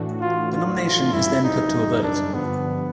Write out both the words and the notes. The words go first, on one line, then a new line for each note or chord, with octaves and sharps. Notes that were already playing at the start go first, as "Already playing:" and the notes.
The nomination is then put to a vote.
Already playing: A2 E3 A3 D4 F#4
F4
F4
F#2 C#3 E3 G3 E4
D#4
D4
G2 D3 F3 B3